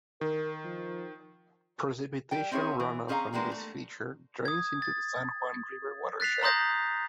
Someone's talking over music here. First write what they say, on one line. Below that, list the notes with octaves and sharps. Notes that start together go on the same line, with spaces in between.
Precipitation runoff from this feature drains into the San Juan River watershed.
D#3 A#4
F3
G3 G5
C4 C#4 E4 G#4 C#5
E3
C4 C#4 G#4 D#5 F5 A#5
E3 G3 G#3 A#3 B3 D4
A3
D#6 G#6
A6
F#6 A6 B6 C7 F7
A#5 C6 D#6 G6 A#6